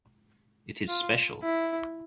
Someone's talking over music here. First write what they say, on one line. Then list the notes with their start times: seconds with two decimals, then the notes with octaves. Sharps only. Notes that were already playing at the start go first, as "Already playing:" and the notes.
It is special.
0.88 F4
1.42 E4